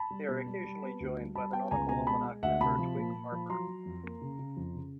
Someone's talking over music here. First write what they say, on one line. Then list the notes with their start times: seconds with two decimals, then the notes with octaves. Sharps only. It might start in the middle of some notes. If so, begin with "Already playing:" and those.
They are occasionally joined by Nautical Almanac member Twig Harper.
Already playing: A5 B5
0.11 G3
0.29 B2
0.47 G3
0.64 G3
0.82 B3
1.00 D2
1.18 G3
1.35 G3 A5 B5
1.53 B3 G5 A5
1.71 C#2 G#5 A#5
1.89 B2 G#5 A#5
2.07 G#3 A5 B5
2.25 G#3
2.43 D2 E5 F#5
2.61 C3 A5 B5
2.78 F3
2.96 A#2
3.14 A#2
3.32 F3
3.50 F#3 A#5 C6
3.68 F#3
3.86 F2
4.03 A#3
4.21 C#3
4.39 C#3
4.57 F2
4.75 C#3